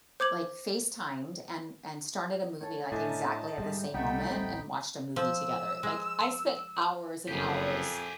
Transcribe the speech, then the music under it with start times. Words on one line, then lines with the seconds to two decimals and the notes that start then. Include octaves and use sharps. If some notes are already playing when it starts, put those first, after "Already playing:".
like, FaceTimed and and started a movie, like, exactly at the same moment, and watched a movie together. Like, I spent hours and hours
0.20 C5 D6 G#6 F#7
2.61 A4 C#5
2.92 A2 D4 C5 D#5 E5 G#5 A5
3.09 A#5
3.58 G#2 G3 G#3
3.94 C2 G3 A3 D#4 F#5 G5 B5
4.31 D1 A1 C4
5.16 F3 E6
5.83 G#3
7.28 F#1 F2 G4 G#4